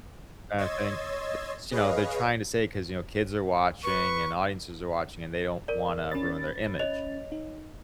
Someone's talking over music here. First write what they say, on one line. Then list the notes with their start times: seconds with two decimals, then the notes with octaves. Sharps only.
kind of thing. Because, you know, they're trying to say 'cause, you know, kids are watching, and audiences are watching, and they don't wanna ruin their image.
0.58 C#5 D#5 C6 E6 G#6 A6
1.71 G#4 B4 C#5 D#5 F5
3.84 B4 C#6
5.68 A#4 D5
6.11 C#4 B5 A6
6.79 C#5 D#5 F7
7.32 D#4